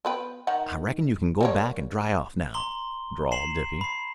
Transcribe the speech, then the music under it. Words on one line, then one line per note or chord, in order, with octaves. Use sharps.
"I reckon you kin go back and dry off now," drawled Dippy.
B3 B4 G5
D#3 D#4 F#5
G3 A#3 C#5
A#5 C6 G7
A#5 C7 E7 F#7
B5 C7